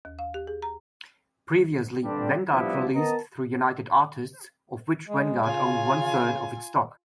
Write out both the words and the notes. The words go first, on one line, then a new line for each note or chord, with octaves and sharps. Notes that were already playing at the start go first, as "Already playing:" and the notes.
Previously, Vanguard released through United Artists, of which Vanguard owned one-third of its stock.
D#2
F5
G4
G#4
A#5
G2 D3 G3 C4 D4
F3 G3 B3 D4 E4
B3 A#4 D#5 A5 A#5
G#3
C#3 F4 G#5